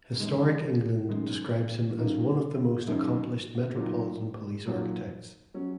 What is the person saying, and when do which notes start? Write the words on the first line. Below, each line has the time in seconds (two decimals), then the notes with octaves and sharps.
Historic England describes him as "one of the most accomplished Metropolitan Police architects".
0.20 F#2 D#3 G#3
1.09 F#2 D#3 G#3
1.98 F#2 D#3 A#3 D#4
2.87 F#2 D#3 A#3 D#4
3.76 A#2 F#3 D#4
4.66 A#2 F#3 D#4
5.54 F#3 C#4